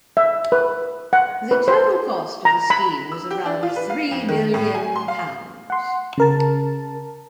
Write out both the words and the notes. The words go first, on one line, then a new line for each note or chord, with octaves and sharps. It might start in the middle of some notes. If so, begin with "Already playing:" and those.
The total cost of the scheme was around three million pounds.
E5
B4
F#5
B4
C5
A#5
B5
E6
G4
D4
F4
B4
F5
F2
D#3
A2
G#5
C6
F5
F#5 C6
C#3 A#4 A5